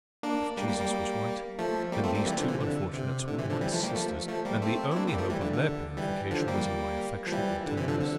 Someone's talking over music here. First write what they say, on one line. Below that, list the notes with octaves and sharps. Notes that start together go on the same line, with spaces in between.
If Jesus was right, then these two unfortunates were my sisters, and the only hope of their purification was in my affection and tenderness.
A#3 D4
G3 A#3
G3 A#3
G3 A#3
F3 A3
G3 A#3
A3 C4
G3 A#3
E3 G3
D3 F3
C3 E3
D3
C3
D3
C3 E3
D3 F3
E3 G3
F3 A3
G3 A#3
F3 A3
F3 A3
G3 A#3
A3 C4
E4
A#3 D4
G3 A#3
F3 A3
E3 G3
D3
D3
E3 G3
D3 F3
G3 A#3
F3
E3 G3
D3
C3 E3
D3 F3
D3